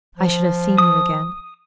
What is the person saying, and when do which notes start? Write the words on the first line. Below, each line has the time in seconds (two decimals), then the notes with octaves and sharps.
"I should have seen you again."
0.18 F3
0.78 D#6